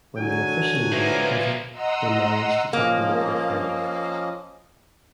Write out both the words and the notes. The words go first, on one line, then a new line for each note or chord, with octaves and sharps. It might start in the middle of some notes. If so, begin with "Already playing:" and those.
When they 'officially' leave prison, they manage to take the loot with them.
D3 F#3 G#5
F3 A#3 B4 E5
D#5 F#5 A#5 C6 D#6 E6
F3 A#3 C#4 D#5